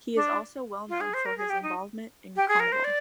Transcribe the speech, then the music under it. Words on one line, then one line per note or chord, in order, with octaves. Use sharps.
He is also well known for his involvement in Carnival.
D4
F4
G#4
C5
A#4
G#4
G4
D#4
G4
G#4
A#4
C5
D5